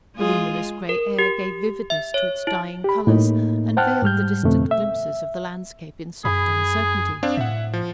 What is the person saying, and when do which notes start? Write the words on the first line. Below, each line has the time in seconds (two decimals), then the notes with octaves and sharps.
The luminous grey air gave vividness to its dying colours, and veiled the distant glimpses of the landscape in soft uncertainty.
0.16 G#3 F4 G#4
0.89 A#4
1.19 G4
1.90 E5
2.14 C#5
2.47 E4
2.84 G4 B5
3.07 A2 A#3 D#4
3.77 C5 F#5 G5 A5 F6 F#6
4.02 G#2 G3 F6 G6
4.43 F2 B2 D3 A3 C4
4.71 E5
6.25 F#2 G#4 B5
7.23 C4 D4 F5
7.37 A2 E5 F#5
7.73 F3